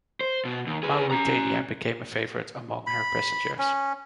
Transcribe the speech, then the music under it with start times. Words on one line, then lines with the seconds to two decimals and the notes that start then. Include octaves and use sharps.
"Mauretania" became a favourite among her passengers.
0.21 C5
0.45 B2
0.67 D#2
0.83 G#4 B4
1.11 C#4 A#5
2.87 B5
3.58 C#4